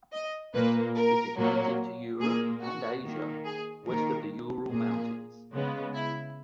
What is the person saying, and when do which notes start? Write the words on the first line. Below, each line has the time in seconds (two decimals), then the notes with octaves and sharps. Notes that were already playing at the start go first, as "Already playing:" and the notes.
It is native to Europe and Asia west of the Ural Mountains.
0.13 D#5
0.54 A#2 A#3 B4
0.96 A#4
1.37 A#2 F#3 A#3
2.20 A#2 A#3 G#4
2.62 F#4
3.04 D#3 A#3
3.45 G#4
3.87 D#3 A#3 A#4
4.70 A#2 A#3 G#4
5.52 C#3 G#3 B3
5.94 E4